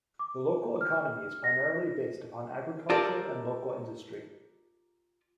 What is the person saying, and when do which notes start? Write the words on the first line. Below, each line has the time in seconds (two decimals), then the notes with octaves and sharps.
The local economy is primarily based upon agriculture and local industry.
0.19 D6
0.81 F6
1.44 A#6
2.90 F4 G4 A4 A#4 D5